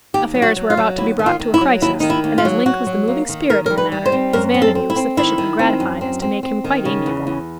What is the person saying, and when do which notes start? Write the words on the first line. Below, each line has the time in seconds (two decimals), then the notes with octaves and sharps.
Affairs were about to be brought to a crisis, and as Link was the moving spirit in the matter, his vanity was sufficiently gratified as to make him quite amiable.
0.14 D#2 G4
0.35 F#3
0.42 F#4
0.56 F#3
0.70 F4
0.77 F#3
0.98 D#2 E4
1.19 D#3
1.26 F4
1.40 D#3
1.54 E4
1.61 F#3
1.82 D#2 E4
2.00 D#3 D#4
2.10 E4
2.24 D#2
2.38 F4
2.45 F#3
2.66 F#3 F#4
2.87 F#3
3.08 A#3
3.29 D#3
3.49 D#3 A#4
3.66 G3 A#4
3.78 B4
3.92 G3
4.06 C5
4.12 C4
4.33 F#2 A#4
4.54 C4
4.62 A4
4.75 C4
4.90 E4
4.96 C4
5.17 D#3 E4
5.38 D#3
5.59 C4
5.80 F#2
6.01 C4
6.22 C4
6.43 C4
6.64 D#3
6.85 C#3
7.06 E2
7.27 E2